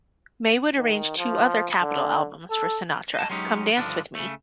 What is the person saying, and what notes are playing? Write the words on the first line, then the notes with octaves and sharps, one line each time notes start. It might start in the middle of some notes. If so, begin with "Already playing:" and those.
May would arrange two other Capitol albums for Sinatra, Come Dance with Me!
D#3
F3
D3
A4
D#5 A5
F#3 G#3 C#4 D#4 G4
G2 B2 D3 D#3 F3 D4
C#3 A3